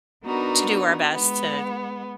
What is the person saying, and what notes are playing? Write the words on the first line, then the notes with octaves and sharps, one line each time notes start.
to do our best to
B3 D4 D#4 F#4 A#4 B4
G#3 B3